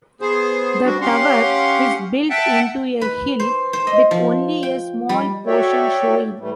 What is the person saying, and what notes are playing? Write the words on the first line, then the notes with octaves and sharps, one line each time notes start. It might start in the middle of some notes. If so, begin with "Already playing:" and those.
The "tower" is built into a hill with only a small portion showing.
B3 G#4 C5
G3 C4 D4 F#4
C#4 G4 F5 F#5 C6
E5 F#5 G5 A5
B4
C5
C5
D#5
F3
G5
G3
F#4 A4 C#5 D5 E5 G5
A2 E3 G3 A3